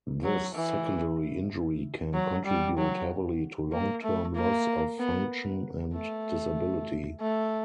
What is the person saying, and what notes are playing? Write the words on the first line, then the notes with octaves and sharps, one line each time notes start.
This secondary injury can contribute heavily to long term loss of function and disability.
F#3
E3
F#3
G3
F#3
A#3
A3
A#3
B3
A3
A3